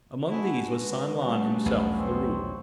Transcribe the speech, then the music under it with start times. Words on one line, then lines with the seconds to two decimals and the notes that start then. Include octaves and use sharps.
Among these was San-Lan himself, the ruler.
0.30 D4 E4 F#4 G#4
0.68 G#3 B4
1.21 G3 A3 C#4 D4 F#4
1.66 B1 E2 A#3 B3
1.99 C4 C#5 C6